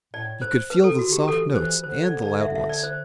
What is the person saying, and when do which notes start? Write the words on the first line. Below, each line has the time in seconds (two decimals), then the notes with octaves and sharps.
You could feel the soft notes and the loud ones.
0.14 A2 D5
0.42 C5
0.70 B4
0.84 A4
0.99 F#4
1.08 D3 G4
1.27 E3 A4
1.55 E3 C5
1.84 D3 C5
2.03 D5
2.23 D5
2.41 E5
2.55 E5
2.69 D5
2.83 C5